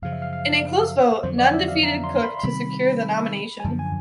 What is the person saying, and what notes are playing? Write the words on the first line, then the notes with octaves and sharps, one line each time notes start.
In a close vote, Nunn defeated Cook to secure the nomination.
F#2 C#3 F3 F5
E5
F5
F5
F2 D3 F#3 C5
D5
E5
F5
A#5
C6
C6
B5
C6
C3 D#3 G3 C4 B5
G#5
F#2 D3 F3 A5
G#5